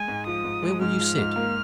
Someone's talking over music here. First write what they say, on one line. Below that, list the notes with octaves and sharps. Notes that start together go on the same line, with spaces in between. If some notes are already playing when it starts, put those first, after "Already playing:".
Where will you sit?
Already playing: G#3 G#5
G#2
F3 D#6
G#2
G#3
G#2 F6
F3
G#2
A#3